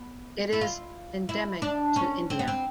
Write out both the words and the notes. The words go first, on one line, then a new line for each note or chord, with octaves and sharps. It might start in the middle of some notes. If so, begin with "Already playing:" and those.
It is endemic to India.
Already playing: B3
E4
F4
E4
D4
C#4
C4
B3
C4